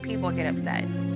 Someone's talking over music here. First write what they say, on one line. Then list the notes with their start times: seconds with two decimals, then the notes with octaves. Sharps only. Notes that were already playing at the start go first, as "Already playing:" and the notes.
people get upset.
Already playing: F2 C3 F3 C4 C5
0.41 A2 F3 C#4 C#5